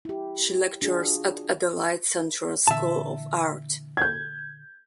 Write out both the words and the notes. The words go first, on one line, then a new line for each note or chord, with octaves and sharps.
She lectures at Adelaide Central School of Art.
E4 G4
D4 F#4 G#4
F4
A#2 D3 E3 E5 A5
G6 G#6